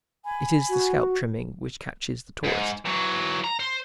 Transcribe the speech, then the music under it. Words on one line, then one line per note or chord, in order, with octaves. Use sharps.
It is the scalp trimming which catches the tourist.
G#5 B5
F#4
G#2
E3 F#3
A#5
C5